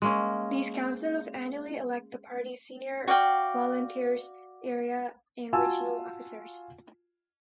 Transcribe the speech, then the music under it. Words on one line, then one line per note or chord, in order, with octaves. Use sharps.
These Councils annually elect the Party's senior volunteers; Area and Regional Officers.
G#3 A#3 C#4
F#4 D5 F5 G5
F4 F#4 F5 G#5 A5 E6